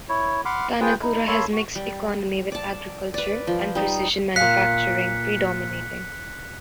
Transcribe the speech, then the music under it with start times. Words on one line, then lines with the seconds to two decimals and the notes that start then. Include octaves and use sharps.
Tanagura has mixed economy with agriculture and precision manufacturing predominating.
0.09 E4 C#5
0.45 F#5 B5 C6 D6 F6
0.81 F4 G#4 B4 C5 G5
1.02 D#4 E4
1.28 A#3 A4 C#5 A5 B5 C6
1.53 F#4
1.75 G3
2.52 D5 A5
3.14 B4 D5
3.47 F3
3.75 G3 D#4
4.36 A#2 F5 F#6 B6 C#7